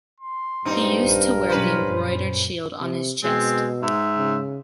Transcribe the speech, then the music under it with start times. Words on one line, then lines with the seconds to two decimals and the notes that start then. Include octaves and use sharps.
He used to wear the embroidered shield on his chest.
0.20 C6
0.65 G2 A#2 C4 D#4
1.03 A#1 A#4
1.49 B2 F#3 C#4 B4 C5
1.80 F#2 A#2
2.81 C3
3.24 B2 G#3 C4
3.82 G#2 E5
4.18 C#3